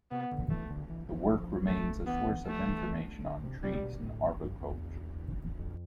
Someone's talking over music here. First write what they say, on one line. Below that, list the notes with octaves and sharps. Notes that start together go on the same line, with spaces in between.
The work remains a source of information on trees and arboriculture.
C3 B3
D3
E3 A3
D3
E3
F3
A3
E3 B3
E3
F3 A3
E3
D3
C3
C3 G3
B2
A2
G2
E2
F2